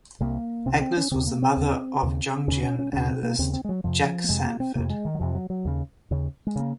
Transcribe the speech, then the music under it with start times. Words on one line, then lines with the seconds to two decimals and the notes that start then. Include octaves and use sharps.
Agnes was the mother of Jungian analyst Jack Sanford.
0.21 C2 C3 A#3
0.66 C2 C3 C4
0.74 C#4
0.81 C4
0.97 C#4
1.11 D#2 C#3 C4
1.27 A#3
1.42 C4
1.57 D#2 C#3
2.03 D#2 C#3
2.48 D#2 C#3 C#4
2.63 C#4
2.79 C#4
2.93 D#2 C#3 C#4
3.08 C4
3.23 A#3
3.39 D#2 C#3 C4
3.53 C4
3.64 G#3
3.69 F#3
3.84 F2 C3 F3
4.24 A#3
4.29 F2 C3 G#3
4.44 A#3
4.60 C4
4.75 F2 C3 A#3
4.90 G#3
5.05 D#3
5.15 F#3
5.19 F2 C3 F3
5.35 F#3
5.50 F#3
5.65 D#2 C#3
6.11 D#2 C#3
6.47 G#3
6.56 C#3 A#3